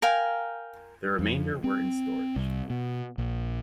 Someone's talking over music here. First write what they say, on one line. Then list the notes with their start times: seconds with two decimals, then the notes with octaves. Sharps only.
The remainder were in storage.
0.02 A#4 F5 G5 G#5
1.19 F2
1.64 C4
2.36 C2
2.70 B2
3.18 A#1